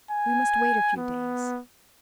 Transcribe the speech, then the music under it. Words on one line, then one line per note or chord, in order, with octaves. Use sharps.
We must wait a few days.
G#5
B3